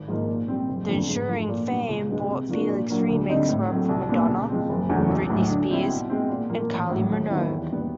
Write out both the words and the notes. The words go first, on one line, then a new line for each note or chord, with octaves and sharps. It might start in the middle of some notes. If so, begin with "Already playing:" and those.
The ensuing fame brought Felix remix work for Madonna, Britney Spears and Kylie Minogue.
Already playing: G#1
G#2 F3 A#3 D#4
A#2
G3 C4
F#1
F2 D3 G3 B3
G#2
F3 A3
A#2
G3 B3
C#2
B2 G#3 B3
C3
F3 A#3 D4 F#4
A#2
F#3 A#3 D4
D2
D3 G3 C4 D#4
A2
F#3 A3 C4
C2
A#2 G3 B3
C#3
F3 G#3 C4
F#1
E2 C#3 F#3 A3
B1
A2 F#3
D3
G3 C4 E4
B2
G#3 C4
A#2
F3 A#3
A1
A2 F#3
D#2
D#3 G3 B3 E4
E2
B2 G3 B3